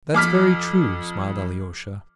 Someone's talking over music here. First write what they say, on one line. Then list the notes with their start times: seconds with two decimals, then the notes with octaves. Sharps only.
"That's very true," smiled Alyosha.
0.15 F2 D6 F6 B6